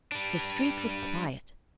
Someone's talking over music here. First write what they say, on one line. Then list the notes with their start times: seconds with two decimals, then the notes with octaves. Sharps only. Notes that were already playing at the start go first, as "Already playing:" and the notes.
The street was quiet.
0.12 G3 D4